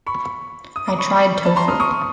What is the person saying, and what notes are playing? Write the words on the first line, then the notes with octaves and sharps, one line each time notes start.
I tried tofu.
B5 C#6
D#6
D6
B5 C#6
A5 B5
A#5 C6
D#6 F6
C#6 D#6